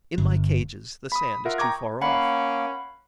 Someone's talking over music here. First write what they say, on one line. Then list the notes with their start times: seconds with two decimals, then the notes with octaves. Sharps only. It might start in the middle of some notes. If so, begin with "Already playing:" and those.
In my cages, the sand is too far off.
0.18 G1
1.12 B5 D#6
1.45 F4 A#4 E5 F#5
1.58 G5 A#5 C#6 D6 G#6
2.02 A#3 C#4 F#5 B5 C7